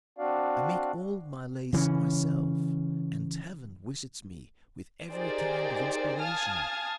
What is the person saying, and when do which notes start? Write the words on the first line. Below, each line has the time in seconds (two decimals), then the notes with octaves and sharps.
I make all my lays myself, and heaven visits me with every kind of inspiration.
0.18 C4 D4 F#4 D5 F5
1.73 C#3 E3 C4 C#4
5.11 D#4 G4 G#4 A#4 C5 D5
6.20 F5 G#5 A5 D#6 F6 G#6